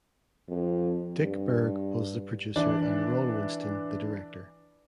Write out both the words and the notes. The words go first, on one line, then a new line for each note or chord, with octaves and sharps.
Dick Berg was the producer and Ron Winston the director.
F2
G2
E3 D4